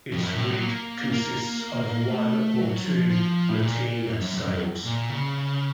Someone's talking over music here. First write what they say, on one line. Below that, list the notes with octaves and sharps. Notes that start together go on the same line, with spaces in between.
Its rig consists of one or two lateen sails.
F2
F#2
A2
F#3
A#3
A#3
A3
F#3
F3
F3
A2
A#2
F#2
F#2
F#2
F#2
A#2
C#3